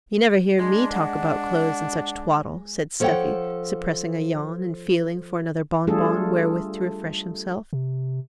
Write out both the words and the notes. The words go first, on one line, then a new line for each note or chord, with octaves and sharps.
You never hear me talk about clothes and such twaddle,' said Stuffy, suppressing a yawn, and feeling for another bon-bon wherewith to refresh himself.
G#3 D4 C6
F#5
F3 A4 C#5 D5 F#5 G5
G3 A3 D4 F4 G#4 A4
C3